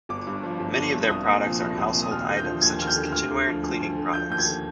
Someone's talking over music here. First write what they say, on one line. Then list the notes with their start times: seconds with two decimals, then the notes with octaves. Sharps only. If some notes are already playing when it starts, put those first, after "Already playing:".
Many of their products are house-hold items such as kitchenware and cleaning products.
0.09 G1 D6
0.27 G2
0.43 F3
0.60 G1
0.77 G1
0.94 G2
1.10 C2 D#6
1.27 A#2
1.44 F3
1.61 C2
1.78 C2
1.95 A#2
2.02 D#6
2.11 D#2 F6
2.28 D3
2.37 G6
2.45 F3
2.62 D#2 G#6
2.79 D#2 F6
2.87 G6
2.96 D3
3.12 D2 F6
3.30 D3
3.46 F3
3.63 D2
3.80 D2
3.96 D3
4.13 F3 G6
4.30 D#2 G6
4.39 G#6
4.47 D3